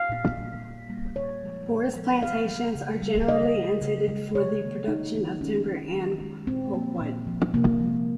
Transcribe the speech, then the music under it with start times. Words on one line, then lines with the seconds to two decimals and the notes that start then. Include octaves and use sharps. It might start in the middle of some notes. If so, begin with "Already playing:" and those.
Forest plantations are generally intended for the production of timber and pulpwood.
Already playing: F5
0.09 A#2
0.36 G3 A#3
0.63 A#2
0.89 G3 A#3
1.16 A#2 C#5
1.42 F3 G#3
1.69 A#2
1.96 F3 G#3
2.23 C#3 F5
2.49 G3 A#3
2.75 C#3
3.02 G3 A#3
3.28 C#3 D#5
3.55 G#3
3.82 C#3
4.08 G#3
4.35 C3 C#5
4.61 D#3 A#3
4.88 C3 D#4
5.15 D#3 A#3
5.41 D#3 C#4
5.68 G#3
5.94 D#3
6.21 G#3
6.47 A#2 C4
6.74 F3 A#3
7.01 A#2
7.27 F3 A#3
7.54 C3 A#3
7.80 F3 G#3